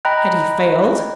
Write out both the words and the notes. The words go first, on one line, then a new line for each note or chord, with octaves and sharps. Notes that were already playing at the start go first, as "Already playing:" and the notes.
Had he failed?
D#5 G5 A#5 B5 F#6